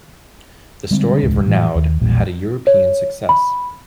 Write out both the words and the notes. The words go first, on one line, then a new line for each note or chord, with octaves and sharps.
The story of Renaud had a European success.
D3 G3 G#3 C4
E1 C#2 G#2
A2 E3 F#3
D#2
E1 A#1 A#2 G3
C#5
B5